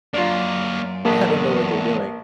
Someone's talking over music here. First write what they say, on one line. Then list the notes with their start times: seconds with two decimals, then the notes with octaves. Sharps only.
I don't know what they're doing,
0.14 F#2 A#3 D4 F4 C#5
1.05 A#1 E2 A3 A#3 A#4